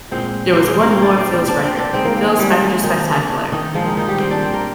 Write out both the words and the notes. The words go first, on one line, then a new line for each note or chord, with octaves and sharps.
There was "one more" Philles record, The Phil Spector Spectacular.
A#2 G#3 C4 C5
A#3 A#4 C5
G#3 G#4
A#3 A#4
C4 C5
D4 D5
C4 C5
C4 C5
D4 D5
C4 C5
D4 D5
D#3 G#3 C4 C5
A#3 A#4
A#3 A#4
G#3 G#4
G3 G4
G#3 G#4
D#3 D#4
D4
D4
D#3 D#4
A#2 F3 G#3 F4
D#3 D#4
D#3 D#4
G3 G4
C4 C5
D4 D5
C4 C5
A#3 A#4